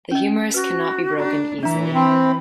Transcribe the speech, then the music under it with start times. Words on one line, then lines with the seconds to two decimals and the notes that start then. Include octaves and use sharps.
The humerus cannot be broken easily.
0.11 C#4 D#5
0.54 F#4 B4
1.20 D4 A#5
1.63 E3 D4 E5 A#5
1.94 C4 B5